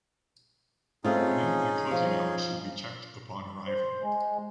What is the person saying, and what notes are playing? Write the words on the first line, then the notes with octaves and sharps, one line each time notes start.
Opening and closing hours should be checked upon arrival.
A3 C4 C#4 D#4 F4 G#4
F3
C5
G#3